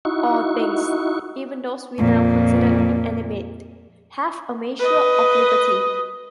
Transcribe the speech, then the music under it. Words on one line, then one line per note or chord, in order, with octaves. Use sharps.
All things, even those we now consider inanimate, have a measure of liberty.
D#4 E4 F#4 C#6
F2 A#2
B4 D#5